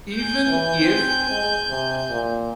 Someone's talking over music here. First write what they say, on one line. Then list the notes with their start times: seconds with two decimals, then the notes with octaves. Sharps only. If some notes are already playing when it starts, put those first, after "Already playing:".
even if
0.14 G#5 G6
0.47 E3
0.81 C4
1.31 G#3
1.70 C3
2.10 A#2